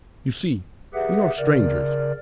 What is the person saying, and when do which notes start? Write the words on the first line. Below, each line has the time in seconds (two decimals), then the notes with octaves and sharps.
"You see, we are strangers."
0.94 G4 G#4 B4 E5 F#5
1.38 C#3 A#4 D5